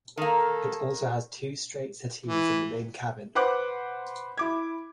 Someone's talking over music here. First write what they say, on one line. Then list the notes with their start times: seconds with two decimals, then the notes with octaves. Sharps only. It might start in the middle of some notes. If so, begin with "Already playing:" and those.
It also has two straight settees in the main cabin.
0.17 D#3 A#3 A4
2.26 E3
3.35 B4 C5 F#5 D6 F#6
4.37 E4 D6 G#6